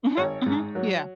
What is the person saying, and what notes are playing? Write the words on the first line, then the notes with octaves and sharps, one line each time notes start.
Mhm, mhm, yeah.
G#1 C#5
G#2
F#3